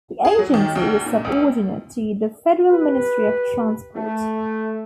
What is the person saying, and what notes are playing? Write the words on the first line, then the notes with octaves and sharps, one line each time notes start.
The agency is subordinate to the Federal Ministry of Transport.
G#4
F#3
D#3
D2
A#2
C#2
G4 B4
A3